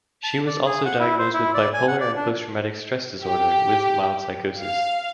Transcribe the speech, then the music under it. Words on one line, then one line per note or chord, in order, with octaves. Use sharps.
She was also Diagnosed with bipolar and post traumatic stress disorder with mild psychosis.
A5
D5
G#4
F#5
E4
C5
E4
D5
G#5
F#5
D5
D4
G4
F5